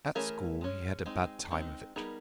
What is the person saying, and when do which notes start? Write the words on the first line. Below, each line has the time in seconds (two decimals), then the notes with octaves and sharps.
At school he had a bad time of it.
0.15 E3 A3 C#4 G#4 A#4
0.61 G#3 C#4
1.06 G#3 C4 D#4
1.51 G#3 C4 D#4
1.96 G3 B3 D#4 G#4 A#4